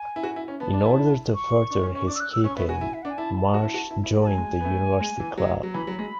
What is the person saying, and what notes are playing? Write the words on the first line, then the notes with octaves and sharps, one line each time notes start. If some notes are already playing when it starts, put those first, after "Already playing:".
In order to further his keeping, Marsh joined the University club.
Already playing: G#5
E4
F#4
E4
C#4
B3 A5
D4
E4
C#6
D4
C#4
C#4 C#6
D4 D6
E6
F#6
E6
C#4 C#6
B3 E5
F#4 G#5
E4
E5
D4 F#5
G#5
E4 A5
A5
F#4
E4
F#4
E4
E4
G#3
A5
F#3 G#5
G#3
B3
A3
G#3
E3
F#3
F#3
E3 B5
F#3
G#3